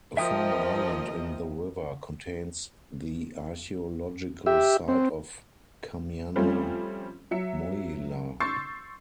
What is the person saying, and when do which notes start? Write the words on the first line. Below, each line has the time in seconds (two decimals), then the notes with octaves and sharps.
A former island in the river contains the archaeological site of Kamyana Mohyla.
0.17 F3 A#4 D#5 E5 G5 D#6
4.46 G4 E5
4.88 C4
6.36 F3 G3 A3 C4 C#4 F4
7.31 F#3 E5 C#7
8.40 C6 C#6 E6 G6 A6 C7